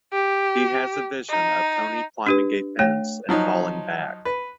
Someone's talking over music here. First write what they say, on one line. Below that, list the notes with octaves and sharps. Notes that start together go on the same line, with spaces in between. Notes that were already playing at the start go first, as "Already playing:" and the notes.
He has a vision of Tony climbing a fence and falling back.
G4
D#4
D4 G4 B4
A3 C#5 G5
F3 F#3 D#4
B4